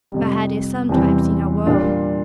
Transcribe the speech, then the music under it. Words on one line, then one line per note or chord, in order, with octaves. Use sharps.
My head is sometimes in a whirl.
F2 C3 G3
E2 C3 E3 G3 C4
A#2 G3 D4 F4